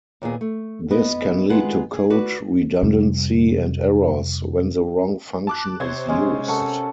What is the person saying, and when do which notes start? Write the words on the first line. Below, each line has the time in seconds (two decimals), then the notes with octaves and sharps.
This can lead to code redundancy and errors when the wrong function is used.
0.22 D#2 A#2 B3 G#4
0.41 A3
0.91 B3 B4 D#5
1.50 D#3 G#3 F4 G#4 B4 F#5
1.93 G#4
2.10 F#4 B4 D5
2.83 F2 C3 G3
5.47 A5 D6 F#6
5.80 C3 C5 C#5 G#6
6.09 G#3 C#4
6.48 F#4 A4 A#4